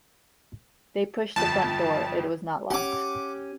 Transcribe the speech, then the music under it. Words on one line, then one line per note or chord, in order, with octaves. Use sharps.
They pushed the front door — it was not locked.
G1 F2 A5
C#4 G4 F#5 D6